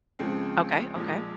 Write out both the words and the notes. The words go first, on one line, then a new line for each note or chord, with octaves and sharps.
Okay, okay.
C#2 C#3 F3 G#3 C4
A#1 A#2 F3 G#3